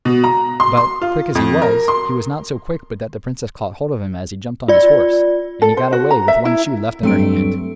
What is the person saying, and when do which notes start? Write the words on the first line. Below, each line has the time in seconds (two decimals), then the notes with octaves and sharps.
But, quick as he was, he was not so quick but that the princess caught hold of him as he jumped on his horse, and he got away with one shoe left in her hand.
0.05 B2
0.24 A#5
0.60 C6
0.77 C6
1.02 F4
1.35 F2
1.62 A#4
1.88 C6
4.68 F4 D5
5.62 A4
5.77 C5
5.93 F#4
6.11 A#5
6.28 E5
6.45 E4
7.03 G2 F#3 A3 C4 D7